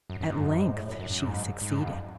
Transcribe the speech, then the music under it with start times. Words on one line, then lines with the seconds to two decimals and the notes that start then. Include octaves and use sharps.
At length she succeeded.
0.10 F#2
0.21 F#2
0.32 G#2
0.43 F#2
0.60 G#2
0.77 A2
0.88 F#2
0.99 F#2
1.10 F#2
1.28 G#2
1.61 G#2
1.78 F#2
1.86 F2